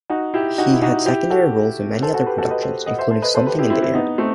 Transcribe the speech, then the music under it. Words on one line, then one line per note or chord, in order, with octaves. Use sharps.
He had secondary roles in many other productions, including "Something in the Air".
D#4 F#4
E4 G4
D#4 F#4
E4
D#4 F#4
E4 G4
F#4 A4
A4 C5
F#4 A4
G4 B4
F#4 A4
B4 D#5
A4 C5
D#5 F#5
C5 E5
A4 C5
B4 D#5
A4 C5
G4 B4
E4 G4
C4 E4
C4 E4
B3 D#4
A3 C4